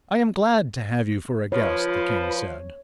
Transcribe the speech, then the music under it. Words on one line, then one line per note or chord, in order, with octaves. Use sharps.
"I am glad to have you for a guest," the king said.
F3 F4 B4 C#5 B5